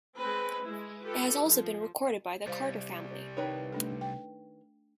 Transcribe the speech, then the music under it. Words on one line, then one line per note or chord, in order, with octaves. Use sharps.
It has also been recorded by the Carter Family.
G#3 C4 B4
G#3 E4
F4 G4 A4 B4
F3
C2 G3 C5 F5
D#3 D#4 B4 C#5
A3 D4 A4
G5